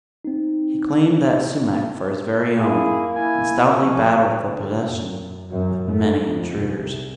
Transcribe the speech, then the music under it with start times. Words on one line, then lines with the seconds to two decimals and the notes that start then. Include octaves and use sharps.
He claimed that sumac for his very own, and stoutly battled for possession with many intruders.
0.25 C4 D#4
2.57 A#3 E4 G#4
3.15 E4 G#5
3.80 F3 C#4
4.45 D3
4.88 F#2
5.50 F#2
5.89 A3
6.23 F2
6.57 C2